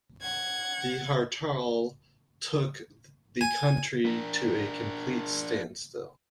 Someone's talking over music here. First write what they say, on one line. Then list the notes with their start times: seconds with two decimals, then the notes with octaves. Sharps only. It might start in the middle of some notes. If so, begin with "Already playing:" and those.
The Hartal took the country to a complete standstill.
0.21 F#5 G#6
3.41 G#5
4.06 D4 A#4